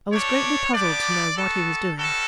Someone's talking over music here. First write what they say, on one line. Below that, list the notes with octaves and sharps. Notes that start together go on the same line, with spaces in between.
I was greatly puzzled to know what he was doing.
A3 D4 G4 C#5
B3 D4 G4 D5
B3 F#4 A4
G3 C#4 F#4 A4